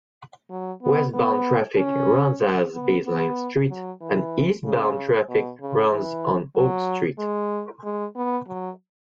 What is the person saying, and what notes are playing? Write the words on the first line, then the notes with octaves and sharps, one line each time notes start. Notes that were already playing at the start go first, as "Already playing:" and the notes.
Westbound traffic runs as Baseline Street and eastbound traffic runs on Oak Street.
F#3
B3
B3
C#4
B3
B3
F#3
E3
C#3
B2
C#3
E3
F#3
G#3
G#3
B3
F#3